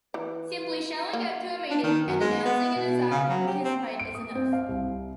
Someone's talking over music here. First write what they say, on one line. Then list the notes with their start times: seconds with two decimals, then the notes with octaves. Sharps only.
Simply showing up to a meeting and announcing a desire to participate is enough.
0.14 E3 B4
1.13 A#3 F#5
1.70 D4
1.83 D#3
2.08 F#2
2.20 G#3
2.45 B3
2.76 B2
3.11 C#3
3.29 F#3
3.47 G4
3.64 C4
3.99 D7
4.15 D#6
4.35 C4
4.53 F5
4.69 C2